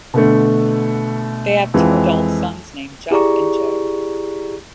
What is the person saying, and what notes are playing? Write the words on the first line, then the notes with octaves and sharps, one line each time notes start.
They have two adult sons named Jack and Joe.
B2 D3 A3
F2 E3 G#3
E4 G4 G#4 D5 A#5 C#6